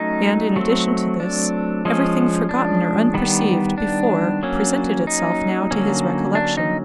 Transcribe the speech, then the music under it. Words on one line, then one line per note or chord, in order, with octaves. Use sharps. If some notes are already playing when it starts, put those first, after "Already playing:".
And, in addition to this, everything forgotten or unperceived before presented itself now to his recollection.
Already playing: F#3 A3 C#4 D#4
F#3 A3 C4
D4
F3 G#3 C#4
D4
D#3 G3 B3
D4
F#3 A#3 C#4
D#4
D3 F#3 A#3 C#4
D4
D#4